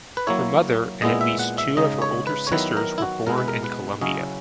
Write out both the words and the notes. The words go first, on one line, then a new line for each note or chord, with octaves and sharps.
Her mother and at least two of her older sisters were born in Colombia.
B4
F#3 A#3 E4 C#5
A#2 G#3 B3 E4 D#5
E5
F#5
E5
C#3 G#3 D#4 D#5
C#5
B4
C#5
D#3 F#3 B3 E4 B4
A#4
E4
F#4
B2 G#3 B3 E4 A#4
B4
A#4
B4
C#3 F#3 C#4 E4 D#5